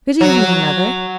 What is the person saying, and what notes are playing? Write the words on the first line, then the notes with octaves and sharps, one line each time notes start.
'Good evening, Mother.'
F#3